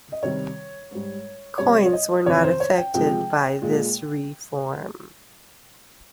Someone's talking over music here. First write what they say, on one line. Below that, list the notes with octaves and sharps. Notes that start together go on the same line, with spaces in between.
Coins were not affected by this reform.
D#5
C3 D#3 G3 C#5
G#2 G3
C3 G3 C#5
C#5
D#5
F2 C3 D#3 C#5
C5
C#5
G5
C3 F3 G#3 G5
A#2 G#3